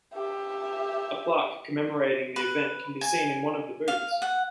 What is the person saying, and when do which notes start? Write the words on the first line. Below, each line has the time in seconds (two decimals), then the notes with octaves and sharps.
A plaque commemorating the event can be seen in one of the booths.
0.14 G4 E5
2.36 B4
3.01 G#5
3.88 F5
4.22 F#5